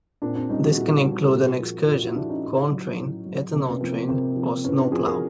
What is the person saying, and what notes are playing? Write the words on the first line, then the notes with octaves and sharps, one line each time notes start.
This can include an excursion, corn train, ethanol train, or snow plow.
A#2 C4 D4
C4 D4
G3 C#4 D#4
F#4 G#4
A#2 E4 F#4
G3
A4
A#2 F#4 G#4
F3
A#2 F4 G4
E4 F#4
F3 D4 E4
C#4 D#4
A2
F#3
A2
F#3
C3 A#3
B3 C#4
F3 A#3 C4
A#3
C3 A#3 C4
F3
A2 B3 C#4
C4 D4
F3 F#4 G#4
G#4 A#4